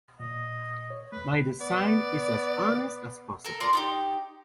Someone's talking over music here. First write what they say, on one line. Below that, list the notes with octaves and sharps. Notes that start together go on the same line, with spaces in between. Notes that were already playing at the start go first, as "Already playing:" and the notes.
My design is as honest as possible.
A#2 D#5
C#5
E2 A3 B4
B3 D5
A4 A#4
F4 A#4 D5 C6
D4 D#4 G4